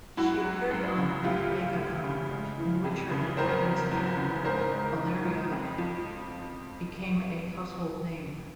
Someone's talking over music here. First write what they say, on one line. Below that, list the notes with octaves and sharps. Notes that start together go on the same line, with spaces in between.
She appeared on "Bakekang", in which her antagonist character, Valeria, became a household name.
F#2 E4 F#4
F#3
F#2
C#3
D2 F4 G4
F3
D2
C#3
G#3
E3
F2
C#3
E2 A#4 C5
F#3
E2
C#3
G#2 A#4 C5
G#3
G#2
F3
F2
F3